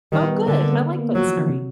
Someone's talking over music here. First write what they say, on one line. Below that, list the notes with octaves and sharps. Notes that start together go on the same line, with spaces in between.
Oh, good. I like that story.
D#3 G3
B3
D3 A#3
B3
A#3
B3
A#3
B3
A#3
F3 F#3
E3
D3
C3